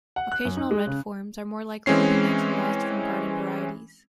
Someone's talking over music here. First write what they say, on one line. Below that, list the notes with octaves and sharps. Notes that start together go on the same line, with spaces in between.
Occasional red forms are more likely to be naturalised from garden varieties.
F#5
F#6
F#2
D#4
G#3
C#3
E3 G#3 C4 C#4 C7